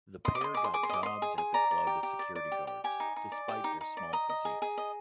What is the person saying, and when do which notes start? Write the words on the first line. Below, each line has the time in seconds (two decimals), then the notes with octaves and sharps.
The pair got jobs at the club as security guards, despite their small physiques.
0.25 D#5 C6
0.35 D6
0.41 D#5 C6
0.54 G#4 D6
0.64 C6
0.74 G#4 D6
0.83 C6
0.89 D#5 D6
1.03 D#5 C6
1.22 G#4
1.38 G#4
1.54 D5 A#5
1.71 D5
1.87 G4
2.03 G4
2.19 D5
2.35 D5
2.52 G4
2.67 G4
2.84 G4 G#5
3.00 D#4
3.16 D#4
3.32 D5
3.48 G4
3.64 D#4
3.81 D#4
3.97 D5
4.13 D#5 A#5
4.29 D#5
4.45 G#4
4.62 G#4
4.78 D#5